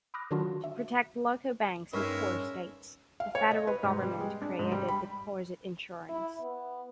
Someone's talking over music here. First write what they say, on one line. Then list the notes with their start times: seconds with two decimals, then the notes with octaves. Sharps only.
To protect local banks in poorer states, the federal government created deposit insurance.
0.14 B5 D6 D#6 F6 F#6 A#6
0.31 D3 D#3 F#3 D4 F4 F#4
0.64 E5
1.93 G2 G#3 C#4 D#4 A#4 E5 C#6 F6
3.20 F5
3.35 C#5
3.51 D#5
3.67 B4
3.83 G#2
4.02 G3
4.20 G#3
4.41 D4
4.59 G#2
4.72 G3
4.88 B5
6.09 E4
6.41 B3